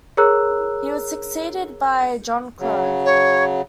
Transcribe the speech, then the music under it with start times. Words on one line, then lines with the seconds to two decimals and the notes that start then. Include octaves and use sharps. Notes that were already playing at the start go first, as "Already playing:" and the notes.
He was succeeded by John Crow.
0.17 G#4 A#4 C#5 A#5 E6 F#6
2.60 C#3 F#3
3.05 C#5